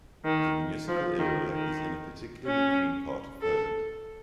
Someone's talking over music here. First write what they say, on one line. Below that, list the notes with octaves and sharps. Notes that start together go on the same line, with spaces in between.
The municipal area is in a particularly green part of Poland.
D#3
F3
D#3
D#3
C#4
A4